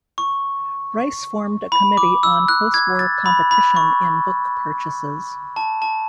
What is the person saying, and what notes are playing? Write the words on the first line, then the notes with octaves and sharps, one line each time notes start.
Rice formed a Committee on Postwar Competition in Book Purchases.
C#6
B5
D6
E6
F#6
G#6
A6
B5
B5
C#6
A5
A5